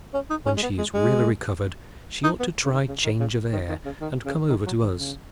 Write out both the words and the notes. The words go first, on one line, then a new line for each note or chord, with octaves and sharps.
When she is really recovered, she ought to try change of air, and come over to us.
C#4
D#4
C#4
G#3
B3
G#3
G#3
D#4
B3
C#3
D#3
C#3
D#3
C#3
D#3
D#3
C#3
D#3
C#3
D#3
F#3
D#3
C#3